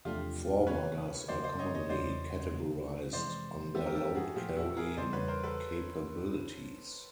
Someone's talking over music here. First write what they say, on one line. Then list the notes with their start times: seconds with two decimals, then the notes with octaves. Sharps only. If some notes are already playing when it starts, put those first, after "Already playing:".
Forwarders are commonly categorised on their load carrying capabilities.
0.05 E2 C3 F3 A3 D4 F4 G4
0.67 C3 D#3 F#3 A3 C#4 B4 C#5
1.28 F2 C#3 F#3 A#3 C5 D5
1.43 C5 D5
1.59 C#5 D#5
1.74 C#5 D#5
1.89 E2 C#3 F#3 A3 C5 D5
2.51 C#3 F#3 A#3
3.13 F2 C3 E3 G#3 C5 D5
3.74 E3 G#3 C4 E4 G4 A4
3.86 A#4
3.95 G4 A4
4.15 F#4 G#4
4.36 A#2 F3 A3 F4 G4
4.56 E4 F#4
4.77 G#4 A#4
4.97 E2 C#3 E3 G3 C5 D5
5.13 B4 C#5
5.28 A#4 C5
5.43 A4 B4